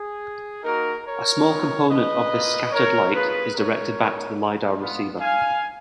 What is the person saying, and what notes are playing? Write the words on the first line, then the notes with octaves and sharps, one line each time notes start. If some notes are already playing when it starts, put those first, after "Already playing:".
A small component of this scattered light is directed back to the lidar receiver.
Already playing: G#4
A#3 D#4 F#4 A#4
A#4 C#5
G#3 B3 F4
B4 D#5
A#3 F4
A#4 C#5
B3 F4 G#4 B4
A#4 C#5
G#3 B3 D#4 F#4
B3 F4
F5 G#5